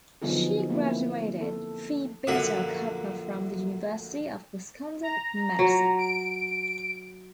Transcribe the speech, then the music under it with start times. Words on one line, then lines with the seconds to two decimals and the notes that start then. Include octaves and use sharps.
She graduated Phi Beta Kappa from the University of Wisconsin-Madison.
0.22 D3 F3 F#3 B3 D#4 G#4
0.70 A#3 C4 E4
1.41 A4
2.27 A#1 F#2 D3 A#3 E5 F#5
5.03 A#5
5.59 F#3
5.99 D7